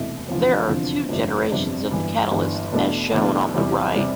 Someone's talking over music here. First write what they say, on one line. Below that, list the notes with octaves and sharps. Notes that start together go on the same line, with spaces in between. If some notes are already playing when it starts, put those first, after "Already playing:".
There are two generations of the catalyst, as shown on the right.
Already playing: F1 E2 B2 A3 E4
F1 E2 D3 F3
F1 E2 D3 F3
G1 F2 C3 G3 D4
G1 F2 C3 G3 D4
G1 G2 E3
G1 G2 E3
E2 B2 A3 D4
E2 B2 A3 D4
E2 C3 G3
C3 G3